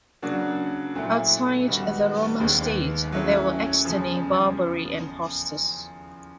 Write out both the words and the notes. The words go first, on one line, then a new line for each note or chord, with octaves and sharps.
Outside the Roman state, there were "externi", "barbari" and "hostes".
C#3 F#3 A#3 D4 F#4
A#2 F#3 A3 C4 E4
D#3 G3 B3 D#4 F#4
D#2 D#3 G#3 B3
F#3 A3 C#4 E4 G#4
E2 C#3 F3